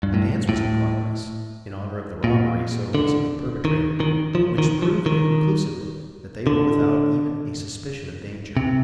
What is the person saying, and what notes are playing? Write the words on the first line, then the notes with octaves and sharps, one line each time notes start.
A dance was in progress in honor of the robbery so recently perpetrated, which proved conclusively, that they were without even a suspicion of danger.
G2
A2
A2
A#2
D3
D#3
D#3
F3
D#3
F3
D#3
D3
C3